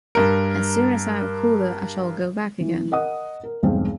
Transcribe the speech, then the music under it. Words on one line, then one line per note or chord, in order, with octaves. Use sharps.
As soon as I am cooler I shall go back again.
G2 A#4
E3
A#4 D#5 F#5 D#6
A#4
E1 B1 G2 G#3 C4